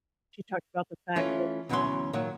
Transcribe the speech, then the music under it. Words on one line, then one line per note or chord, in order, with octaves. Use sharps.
she talked about the fact that
E3 A3 C#4 F4
D2 B2 E3 F#3 C#4 C6
A#2 D#3 F#3